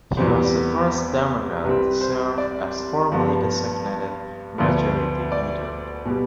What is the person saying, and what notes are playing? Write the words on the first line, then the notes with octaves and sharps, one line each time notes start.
He was the first Democrat to serve as formally designated Majority Leader.
E2 C3 G3 B3 C5
C2 C3 G3 C4 B4
C5
D5
G2 F3 B3
D2 D3 F3 B3
D5
B2 G3 B3